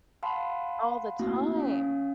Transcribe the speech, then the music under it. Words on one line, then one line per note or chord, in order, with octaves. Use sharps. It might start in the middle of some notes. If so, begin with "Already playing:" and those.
All the time.
F5 F#5 A5 B5 C6
A3 A#3 C4 E4 F#4
C#4 F5